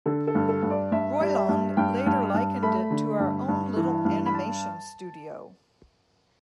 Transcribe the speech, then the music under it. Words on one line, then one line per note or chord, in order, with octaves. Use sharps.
Roiland later likened it to our own little animation studio.
D3 A4
A4
G2
A4
G2
D5
G2 E5
G3
E5
G2
G2 G5
G2
G2
A3 B5
D3
G2
G2
E3
G2
B5
A5